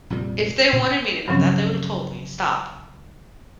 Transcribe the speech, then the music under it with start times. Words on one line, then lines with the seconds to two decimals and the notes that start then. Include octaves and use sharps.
If they wanted me to know that, they would have told me, stop."
0.10 A#1 F2 C3 G3
0.72 A#2 C4
1.28 G2 C#3 F3 F#3 C4 C#4